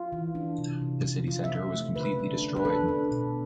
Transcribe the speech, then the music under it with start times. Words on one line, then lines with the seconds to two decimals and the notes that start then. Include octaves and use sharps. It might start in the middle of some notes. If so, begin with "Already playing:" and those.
The city center was completely destroyed.
Already playing: F4
0.12 E3
0.35 D4
0.58 C3
0.81 C3
1.04 C3
1.27 F3 F4
1.44 E5
1.50 C4
1.73 A3
1.96 D3 B4
2.19 D4
2.42 D4
2.56 B4
2.65 D4 A4
2.88 D4
3.11 B2